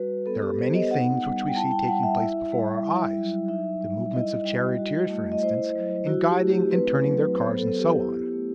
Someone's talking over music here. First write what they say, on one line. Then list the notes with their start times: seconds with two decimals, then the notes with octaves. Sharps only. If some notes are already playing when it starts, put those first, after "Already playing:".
There are many things which we see taking place before our eyes--the movements of charioteers, for instance, in guiding and turning their cars, and so on.
Already playing: G3 F#4 B4
0.26 B3 A4
0.42 G4
0.59 B3 C5
0.74 D#5
0.91 D#4 F#5
1.22 G3
1.48 G5
1.56 E4 A5
1.71 G5
1.87 G3 F#5
2.03 E5
2.19 E4
2.52 G3
2.85 E4
3.17 F#3
3.48 D#4 E5
3.81 G3
4.13 E4 D#5
4.45 G3
4.78 F#4
5.10 A3
5.32 D#5
5.43 E4 C5
5.75 F#3
6.07 E4 F#4
6.28 G4
6.39 A3
6.50 G4
6.71 C4 B4
7.03 F#3
7.36 B3 C5
7.57 A4
7.68 B3
7.79 G4
8.01 E4
8.33 A3